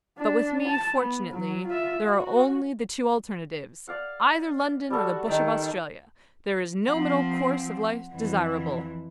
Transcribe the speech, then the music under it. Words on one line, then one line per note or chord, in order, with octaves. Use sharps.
But with me, fortunately, there are only the two alternatives, either London or the bush of Australia--there is no middle course of life desirable.
D4
A5
B3
F#3
F4 E5
F#4
D5 F5 F#5
G3 F#4 A4 C#6
D#3 D#4
F3 C4 F#5
F2 E3